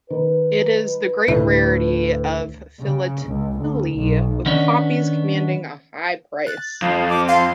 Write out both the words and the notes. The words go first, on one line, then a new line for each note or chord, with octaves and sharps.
It is the great rarity of philately with copies commanding a high price.
D#3 B4
D2 A2
C#3
C#2
D2
B1
D#3 B3 C#4 D4
F#6 A6
F2 F5
D6
F5 A5 C6